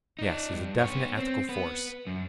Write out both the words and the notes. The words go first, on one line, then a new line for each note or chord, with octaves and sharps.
"Yes; he's a definite ethical force."
D#4 D5
G2
B3 C#5
C4
B3 B4
F#2